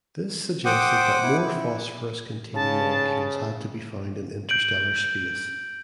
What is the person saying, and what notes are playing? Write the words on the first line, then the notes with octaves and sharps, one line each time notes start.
This suggested that more phosphorus containing molecules had to be found in interstellar space.
C5 F#5 G5 D6 D#6
E4
C#3 A5
G6 D7 F#7